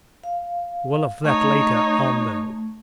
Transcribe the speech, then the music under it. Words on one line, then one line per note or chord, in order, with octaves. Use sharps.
Well, of that later on, though.
F5
A3 D#4 C#5